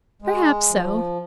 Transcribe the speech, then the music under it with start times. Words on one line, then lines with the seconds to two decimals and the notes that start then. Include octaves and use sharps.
'Perhaps so.
0.22 G#3
0.68 F3